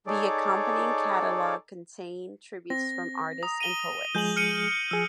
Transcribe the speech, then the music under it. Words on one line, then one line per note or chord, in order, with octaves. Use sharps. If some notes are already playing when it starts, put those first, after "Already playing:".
The accompanying catalogue contained tributes from artists and poets.
D#4 G#4 A4 C#5 D5 D6
C4 A#6
A#5 D#6
D#7 G7
F3 G#3 G#4 G6 F#7
F6 C#7 D#7
F3 G#4 E6